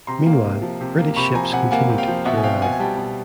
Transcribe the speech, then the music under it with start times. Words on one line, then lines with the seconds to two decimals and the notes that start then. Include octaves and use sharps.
Meanwhile, British ships continued to arrive.
0.07 C3 A#5 C6
0.27 A#3
0.44 C3
0.62 F3
0.81 C3
0.98 A#3
1.16 C3 B5 C#6
1.35 F3 G#5 A#5
1.53 C3 F#5 G#5
1.71 A#3 F#5 G#5
1.89 C3
1.98 F5 G5
2.08 F3
2.25 B2 E5 F#5
2.37 G#5
2.43 C4 F5 G5
2.62 B2 F#5 G#5
2.72 G#5
2.80 G3 G5 A5
2.98 B2